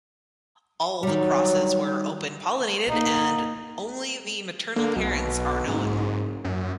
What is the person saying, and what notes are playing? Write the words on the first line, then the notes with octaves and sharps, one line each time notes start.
All the crosses were open pollinated and only the maternal parents are known.
D#3 F#3 G3
A#3 D#4
D3 A#3
B1 B2
F#1 G#2
F#2